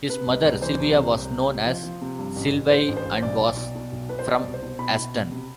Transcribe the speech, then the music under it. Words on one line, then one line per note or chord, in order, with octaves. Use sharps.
His mother, Sylvia, was known as "Sylvie" and was from Aston.
C3 B4
C2
C2
E3 C5
C2
C3
C2
C3
C3
F3
F3
C3
G2
A1
A1
A1 C5
A1
C5
A1
B1 D5
B1
B2
B2
B1
B2 B4
C5
B2 D5
C2
C5
B2
B2 B5
B2
B2
C3